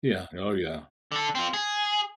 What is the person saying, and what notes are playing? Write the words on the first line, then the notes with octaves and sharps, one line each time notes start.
Yeah, oh, yeah.
D3 A4
C4 F4
G#4